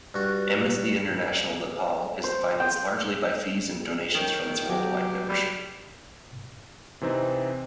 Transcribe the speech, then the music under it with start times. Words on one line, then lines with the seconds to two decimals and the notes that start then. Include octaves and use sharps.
Amnesty International Nepal is financed largely by fees and donations from its worldwide membership.
0.14 G2 F#4
2.24 C5
2.60 G5 D#6
4.15 D#3 C#5 G5
4.69 F#3 G4
5.29 G3 B5
7.01 C3 E3 C4 D#4